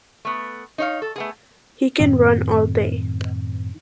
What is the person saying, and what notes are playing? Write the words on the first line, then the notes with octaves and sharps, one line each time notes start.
He can run all day.
A3 B3
D#4 C#5 F5
A4
A3 B3 G#4
F#2 A2 D#3 C4